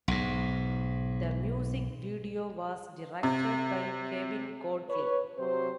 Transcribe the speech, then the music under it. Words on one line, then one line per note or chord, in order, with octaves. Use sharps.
The music video was directed by Kevin Godley.
B1 G#2
C3
B4 C#5
C3 F#3 C5